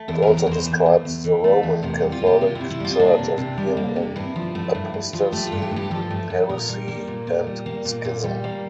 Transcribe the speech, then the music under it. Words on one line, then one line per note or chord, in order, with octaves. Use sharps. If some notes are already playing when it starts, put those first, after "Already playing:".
It also describes the Roman Catholic Church as being in apostasy, heresy, and schism.
Already playing: A3
E2 E4
E2 A#4
A#4
E3
C5
A3
E2
E2
E3
A3
E2
C3 A#4
G3
F4
A#3
G4
C3 F4
E4
C3
E4
G3 F4
A#3 D4
C3
C3
G3
A#3
C3
G2 E4
F3
A3
G2
G2
F3
A3 G4
F4
G2
G4
G2
G4
F3 A4
A3
G2
A#2 A#4
G3
A#3
A#2
A#2
G3
A#3
A#2
A#2
G3
A#3